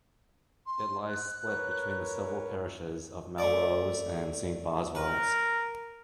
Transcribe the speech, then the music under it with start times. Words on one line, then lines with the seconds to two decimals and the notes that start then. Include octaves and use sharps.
It lies split between the civil parishes of Melrose and St Boswells.
0.67 C6
1.09 F#6
1.46 A#4 B4 C#5
3.38 A3 D5
4.95 A#4 B4